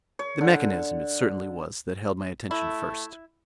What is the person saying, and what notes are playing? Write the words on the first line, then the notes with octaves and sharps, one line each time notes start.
The mechanism it certainly was that held my attention first.
C#5
D3
A3 E4